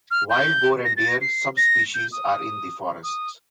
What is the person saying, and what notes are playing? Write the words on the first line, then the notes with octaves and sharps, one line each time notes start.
Wild boar and deer subspecies are in the forests.
F6
G6
A#6
A6
A#6
C7
A#6
G6
D#6
D#6